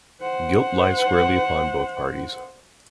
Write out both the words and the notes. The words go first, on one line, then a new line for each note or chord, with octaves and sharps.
Guilt lies squarely upon both parties.
C5 F#5